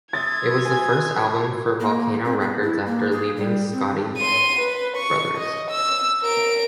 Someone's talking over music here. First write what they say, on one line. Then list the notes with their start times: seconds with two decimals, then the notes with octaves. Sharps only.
It was the first album for Volcano Records after leaving Scotti Brothers.
0.13 E5 C6 D#6 G#6 A6
0.65 G#5
1.80 A#3
2.25 C4
2.41 B3
2.62 E4
2.86 A#3
3.12 G#4
3.36 G3
3.73 C4
4.18 C6 D#7
4.59 B4
4.97 C#6
5.38 D#5
5.71 E6
6.22 A#4 D7